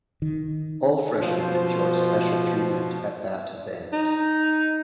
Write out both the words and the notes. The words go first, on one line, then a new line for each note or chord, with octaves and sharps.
All freshmen enjoy special treatment at that event.
D#3
B2 F3 F4 C5
D#4